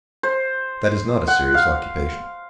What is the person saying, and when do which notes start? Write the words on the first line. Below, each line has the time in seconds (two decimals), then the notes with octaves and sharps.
That is not a serious occupation.
0.23 C5
1.28 F#5
1.54 F5